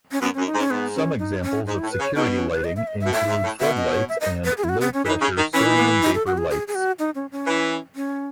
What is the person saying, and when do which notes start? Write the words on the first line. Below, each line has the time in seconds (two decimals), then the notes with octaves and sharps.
Some examples of security lighting include floodlights and low pressure sodium vapour lights.
0.12 C#4
0.22 F#2 B3
0.34 C#4
0.38 F#2
0.47 D#4
0.55 G#2
0.59 C#4
0.71 G#2 B3
0.95 C#4
1.19 D#4
1.43 C#4
1.67 G#2 D#4
1.79 E4
1.84 A2
1.91 B4
2.00 C#3
2.03 C#5
2.15 B2 D#4
2.28 B3
2.39 C#4
2.52 B4
2.64 D#5
2.76 E5
2.87 D#5
3.01 E5
3.05 B2
3.12 A2 E5
3.29 G#2
3.44 A2
3.60 B2 E5
3.77 D#5
3.93 C#5
4.09 E5
4.21 D#5
4.45 B4
4.58 G#4
4.64 E4
4.69 F#4
4.81 B3
4.94 C#4
5.06 E3 D#4
5.22 C#3
5.38 D#3
5.54 E3 C#4
5.65 D#4
5.78 B3
6.03 D#4
6.15 A4
6.27 F#4
6.38 G#4
6.50 G#4
6.68 G#4
6.75 F#4
6.99 D#4
7.15 C#4
7.32 C#4
7.47 E3
7.95 C#4